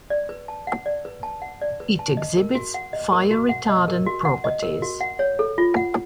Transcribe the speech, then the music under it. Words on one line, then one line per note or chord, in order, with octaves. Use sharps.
It exhibits fire-retardant properties.
D5
B4
A5
F#5
D5
B4
A5
F#5
D5
B4
A5
D#5
A#4
F#4
F#5
D#5
A#4
F#4
F#5
D#5
A#4
F#4
F#5
D#5
A#4
F#4
F#5
C#5
A4
F4
F#5